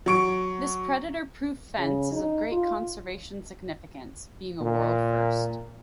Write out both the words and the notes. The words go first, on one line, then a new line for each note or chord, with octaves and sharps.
This predator-proof fence is of great conservation significance, being a world first.
F#3 C#6 D7
C#3
D#4
F4
A#2